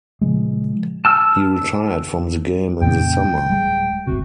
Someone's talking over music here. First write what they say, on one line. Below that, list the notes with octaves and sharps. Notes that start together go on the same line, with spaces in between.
He retired from the game in the summer.
A#2 C#3 F3 G#3
A5 E6 F6
F2 A#2 C#3 G5
D1 G3 G#3
G1 D2 C3 F#4